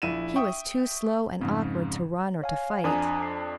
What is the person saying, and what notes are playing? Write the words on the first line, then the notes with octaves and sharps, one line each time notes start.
He was too slow and awkward to run or to fight.
A#1 E4 D#7 E7
E5 G5 C#6 D#6
F2 G#2 C#3
C#5 F5 G#5
F2 D4 G#5 A#5 D#6
C7